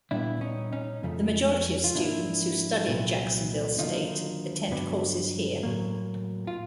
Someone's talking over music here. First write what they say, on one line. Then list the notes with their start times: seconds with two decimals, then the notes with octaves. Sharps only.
The majority of students who study at Jacksonville State attend courses here.
0.11 A#2 G3 B3 D4 E4
0.41 C#4 D#4
0.72 C#4 D#4
1.03 F2 C#3 F3 A3
1.84 F4
1.95 G#2 F3 A#3 D4 E4
2.87 C2 A#2 F#3 B3
3.79 D#2 D3 F#3 A#3 D#4 F4
4.71 G2 D3 F#3 B3
5.63 A2 F#3 A#3
6.47 F4